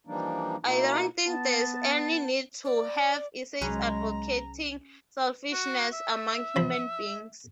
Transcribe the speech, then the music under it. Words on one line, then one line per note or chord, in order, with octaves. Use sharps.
I don't think there's any need to have essays advocating selfishness among human beings.
E3 F3 G3 A#3 D4 D#4
B2 A#3 D#4 E4
B3 A5
D5
C2 F#3 G#3 C#4 G#4 B4 A#5
F#4
E5
F3 B5